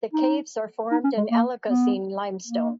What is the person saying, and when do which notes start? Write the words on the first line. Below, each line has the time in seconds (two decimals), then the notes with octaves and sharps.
The caves are formed in Oligocene limestone.
0.13 D#4
0.91 D#4
1.04 C#4
1.17 G#3
1.31 A#3
1.69 B3
2.47 A#3